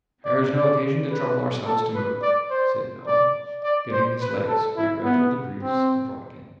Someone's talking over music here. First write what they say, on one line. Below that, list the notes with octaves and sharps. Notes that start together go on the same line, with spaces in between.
'There's no occasion to trouble ourselves to move,' said Noah, getting his legs by gradual degrees abroad again.
D5
D5
B4
A4
B4
D5
C5
D5
D5
C5
B4
A4
E4
B3
C4